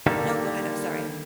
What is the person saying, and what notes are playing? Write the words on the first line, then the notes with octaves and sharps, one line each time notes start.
No, go ahead, I'm sorry.
D3 D#3 G3 A#3 G4 A4